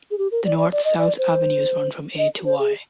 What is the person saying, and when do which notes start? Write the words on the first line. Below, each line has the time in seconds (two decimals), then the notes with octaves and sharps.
The north-south avenues run from A to Y.
0.11 G#4
0.18 G4
0.32 A#4
0.45 D5
0.58 D5
0.72 D5
0.85 D#5
0.98 D5
1.18 C5
2.18 D#5
2.45 C5
2.59 G#4